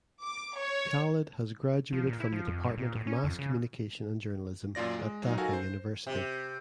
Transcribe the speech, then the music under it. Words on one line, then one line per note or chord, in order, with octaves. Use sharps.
Khaled has graduated from the Department of Mass Communication and Journalism at Dhaka University.
D6
C#5
F3
A#2
E4
F3
F2
G2
A#2
A2
C#4
F2
C#3
F#2 A#2 F4 D5 A#6
G#3
F#3 D#4
D#4 F#4 A4 A#4 F5 G#5
C5
C3